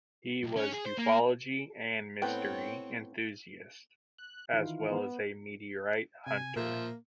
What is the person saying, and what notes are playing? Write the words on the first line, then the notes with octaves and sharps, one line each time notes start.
He was ufology and mystery enthusiast, as well as meteorite hunter.
B1
C#4
G#4
C5
A#3
A2 B3 C4 C#5 G5
F#6
D#3 E3 F4
B3
C3 G#5
A#2 F3 A#3 E5